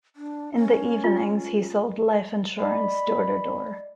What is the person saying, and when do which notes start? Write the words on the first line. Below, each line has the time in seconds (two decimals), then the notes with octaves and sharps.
In the evenings, he sold life insurance door-to-door.
0.16 D4
0.56 C#4
1.04 F4
2.59 D5 D#5 B5